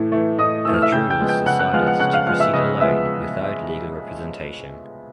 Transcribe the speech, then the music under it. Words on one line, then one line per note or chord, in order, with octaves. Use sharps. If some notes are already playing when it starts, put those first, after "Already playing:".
The Trudels decided to proceed alone, without legal representation.
Already playing: A2 E3 A3
E3 A3
A2 D#5 D#6
E3 A3 E6
F6
E5 E6
C#3 G5 G6
G5 G6
F3 G#3 B3
G5 G6
C#3 F#5 F#6
F#5 F#6
F3 G#3 B3 F5 F6
F#5 F#6
C#3 F#5 F#6
F5 F6
F3 G#3 B3 F5 F6
E5 E6
C#3 D#5 D#6
F3 G#3 B3 E5 E6